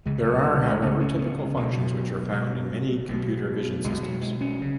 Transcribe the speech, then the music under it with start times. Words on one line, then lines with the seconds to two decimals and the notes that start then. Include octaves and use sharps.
There are, however, typical functions which are found in many computer vision systems.
0.06 C#2 C#3 G#3
0.25 F#3
0.44 F#3
0.63 G#3
0.82 C#2 C#3 B3
1.00 C#4
1.19 B3
1.38 G#3
1.56 B1 B2 F#3
2.32 B1 B2
3.08 B1 B2
3.84 B1 B2 G#3
4.03 F#3
4.21 G#3
4.41 C#4
4.62 C#3